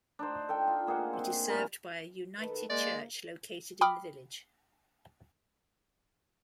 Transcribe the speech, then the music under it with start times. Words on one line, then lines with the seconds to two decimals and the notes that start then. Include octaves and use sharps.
It is served by a United Church located in the village.
0.19 D4 D#4 C5
0.49 A4 G5
0.67 F4
0.87 A#3 G#4 C5 F#5
1.13 C4
1.48 A2 A#4 G#5
2.39 D#3 A4 B4
2.70 G#3 A#3 D5
3.81 G5 B5 D6 D#6 F6